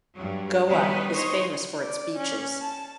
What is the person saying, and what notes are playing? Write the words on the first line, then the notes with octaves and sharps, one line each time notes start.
Goa is famous for its beaches.
G2 F#3
D#3 G3 B3 B4
D#4 C5 C#5 D#5
D5
C#4
A5